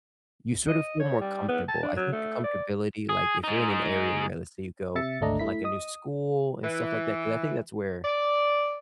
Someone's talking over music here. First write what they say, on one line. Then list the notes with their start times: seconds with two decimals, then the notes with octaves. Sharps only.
you sort of feel more comfortable. I think the comfortability, like if you're in an area where let's say you go to, like, a new school and stuff like that, 'cause I think that's where
0.68 D#5
1.00 C#5
1.21 G3
1.49 B3
1.68 A5
1.83 D4
1.96 F#3
2.12 A3
2.44 D5
3.09 G#4
3.44 G#3 D#4
4.95 C3 E5 A6 C#7
5.21 G#1 D2 A3 D4 D#5 A#5
5.39 A3 E4 B6
5.64 D#5 D#6
6.64 E3
8.04 D5